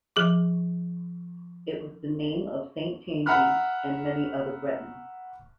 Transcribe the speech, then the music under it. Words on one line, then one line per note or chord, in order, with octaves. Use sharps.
It was the name of Saint Tangi and many other Bretons.
F3 G#4 D6
E5 F#5 A#5 B5 F6 F#6